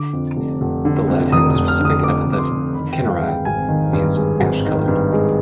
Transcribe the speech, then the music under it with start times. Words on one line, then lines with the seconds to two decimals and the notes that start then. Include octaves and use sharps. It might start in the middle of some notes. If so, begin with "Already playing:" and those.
The Latin specific epithet "cinerea" means "ash coloured".
Already playing: D3 D6
0.13 F2
0.36 F1
0.61 F1
0.85 D3
1.07 F2
1.32 F1 D#6
1.50 F1 D#6
1.68 F6
1.80 D3
1.85 D#6
2.03 F2 D6
2.26 F1
2.32 D6
2.38 C6
2.51 F1
2.74 D#3 B5
2.93 G5
2.98 G2
3.10 F5
3.21 G#3
3.28 G5
3.45 G#1 G#5
3.69 D#3
3.93 G2
4.17 G#3
4.40 G#1
4.65 D#3
4.88 G2
5.12 G#3